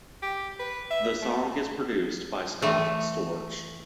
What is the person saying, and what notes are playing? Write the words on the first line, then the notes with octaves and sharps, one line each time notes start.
The song is produced by Scott Storch.
G4
B4
E5
A3
E3 A3